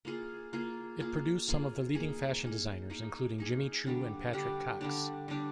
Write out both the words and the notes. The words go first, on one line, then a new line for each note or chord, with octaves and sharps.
It produced some of the leading fashion designers, including Jimmy Choo and Patrick Cox.
A#3 F4 G#4
A#3 F4 G#4
A#3 F4 G#4
A#3 F4 G#4
A#3 D#4 G#4
A#3 D#4 G#4
A#3 D#4 G#4
A#3 D#4 G#4
D3 G3 D4 G4
D3 G3 D4 G4
D3 G3 D4 G4
D3 G3 D4 G4